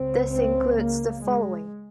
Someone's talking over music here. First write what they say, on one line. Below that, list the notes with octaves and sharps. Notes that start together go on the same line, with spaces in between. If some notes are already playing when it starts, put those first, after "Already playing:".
This includes the following.
Already playing: C#2 C#3 C4
C4
A#3
G#3